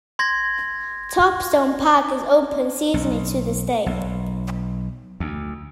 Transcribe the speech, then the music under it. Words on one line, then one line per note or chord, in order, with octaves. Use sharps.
Topstone Park is open seasonally to this day.
C6 G#6 A#6
B1
B1
D2